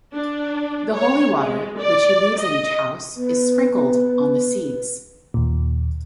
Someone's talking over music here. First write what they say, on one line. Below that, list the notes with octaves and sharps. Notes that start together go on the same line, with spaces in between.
The holy water which he leaves at each house is sprinkled on the seeds.
D4
C#5
G#3
D5
D#5
B3 B4
D#2 A#2